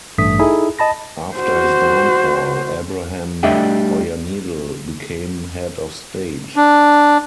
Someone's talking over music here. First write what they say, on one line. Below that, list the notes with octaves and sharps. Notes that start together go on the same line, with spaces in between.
After his downfall, Abraham Oyanedel became head of state.
A1 G2 A3 D#6 B6
D#4 E4 G#4 A4
D#5 A5 B5 A#6
F#4 C5
G3 A3 D4 D#5 E5 G5
D4